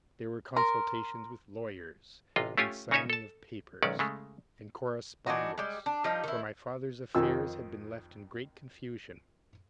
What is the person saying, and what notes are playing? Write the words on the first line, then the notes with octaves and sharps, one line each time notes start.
There were consultations with lawyers, and signing of papers, and correspondence; for my father's affairs had been left in great confusion.
A#4 C6
A1 C3 F4 D#5
A3 C#4 F4 G4 G#5
C#3 C#4 D#4 C#5 E5 G#5
A4 A5
B1 D#3 F#3 G#3 C#4 D5
C#3 G#3 A3
E3 D4 D#4 F#4
G3 G#3
D4
F3 G3 D#4
D#3 E4
F2 D#3 F3 E6